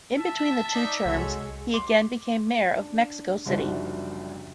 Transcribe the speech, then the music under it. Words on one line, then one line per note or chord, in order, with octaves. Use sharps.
In between the two terms, he again became mayor of Mexico City.
E5 A5
D#4 D5
C2 G#3 F#4 A4 C#5
C6 D6
D4
F#1 C2 F3 D4 D#4 F#4